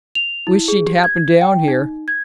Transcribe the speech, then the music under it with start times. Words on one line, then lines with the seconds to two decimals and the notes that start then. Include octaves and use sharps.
Wish she'd happen down here.
0.15 F7
0.47 E4
0.68 G#4
0.87 G4
1.04 G#6
1.41 G5
1.68 D#4
2.08 G#6